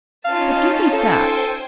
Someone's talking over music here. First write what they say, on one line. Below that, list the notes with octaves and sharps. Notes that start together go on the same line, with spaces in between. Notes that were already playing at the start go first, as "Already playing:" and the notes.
But give me facts.
C#4 D#4 F4 F5 A5
A4 C5 G5 G#5